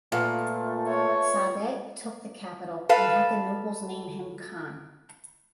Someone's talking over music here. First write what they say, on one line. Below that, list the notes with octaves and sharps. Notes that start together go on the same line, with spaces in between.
Saadet took the capital and had the nobles name him khan.
A#2 A3 B3 F4
C#5
A4 B4 F5